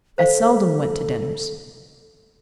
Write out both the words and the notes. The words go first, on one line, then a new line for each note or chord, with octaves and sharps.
I seldom went to dinners.
A4 C5 F5